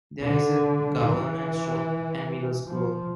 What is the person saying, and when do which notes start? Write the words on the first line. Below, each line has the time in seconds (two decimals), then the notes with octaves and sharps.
There is a government shop and middle school.
0.22 D3
1.03 E3
2.66 F3